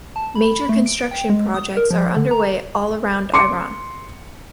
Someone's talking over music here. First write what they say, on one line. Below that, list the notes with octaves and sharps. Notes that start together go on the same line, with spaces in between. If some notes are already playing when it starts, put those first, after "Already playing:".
Major construction projects are underway all around Iran.
A5
B5
A3
D7
G5
G#3
D#6
A#4
F3
D3
A#5
C6 D6 C#7